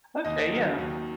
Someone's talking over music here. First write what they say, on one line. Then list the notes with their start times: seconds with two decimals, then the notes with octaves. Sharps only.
Okay. Yeah.
0.25 D#2 D#5
0.52 D#3 F#3
0.78 D#2